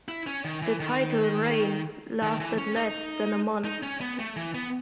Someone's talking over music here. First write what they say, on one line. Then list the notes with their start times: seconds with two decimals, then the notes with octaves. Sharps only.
The title reign lasted less than a month.
0.08 E4
0.27 C#4
0.45 D#3
0.62 E3
0.80 D#3
2.23 D#3
2.40 E3
2.58 C#4
2.76 D#4
3.65 D#4
3.83 C#4
4.01 B3
4.19 A3
4.36 E3
4.54 B3